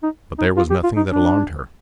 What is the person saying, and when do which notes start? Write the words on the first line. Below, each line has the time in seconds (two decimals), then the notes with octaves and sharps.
But there was nothing that alarmed her.
0.03 D#4
0.38 D#4
0.57 F4
0.70 G4
0.83 F4
0.97 D#4
1.10 D4